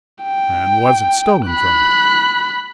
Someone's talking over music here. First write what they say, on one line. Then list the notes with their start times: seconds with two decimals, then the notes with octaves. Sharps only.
"And was it stolen from you?"
0.23 G5
1.47 B5 F#6